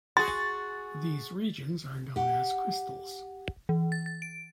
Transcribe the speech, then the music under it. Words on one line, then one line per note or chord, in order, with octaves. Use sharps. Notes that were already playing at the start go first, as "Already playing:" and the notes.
These regions are known as crystals.
F#4 G#4 C6 A6
G4 F#5
E3
A6
A6
D7